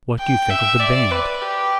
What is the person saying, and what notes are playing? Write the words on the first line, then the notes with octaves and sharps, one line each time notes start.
"What do you think of the band?"
G5
E5
D5
B4
G4